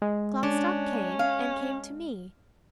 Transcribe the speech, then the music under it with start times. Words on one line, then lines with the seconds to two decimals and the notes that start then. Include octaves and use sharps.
Klopstock came, and came to me.
0.02 G#3
0.43 C#4 D4
1.19 F5